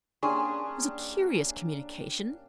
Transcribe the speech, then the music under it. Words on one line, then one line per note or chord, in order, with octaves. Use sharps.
It was a curious communication.
A#3 C#4 D4 G4 G#4 C6 C#6